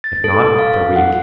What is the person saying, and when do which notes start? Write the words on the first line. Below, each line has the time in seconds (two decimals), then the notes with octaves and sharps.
If not, they're weak.
0.04 A6
0.24 A4
0.58 F5
0.96 F#5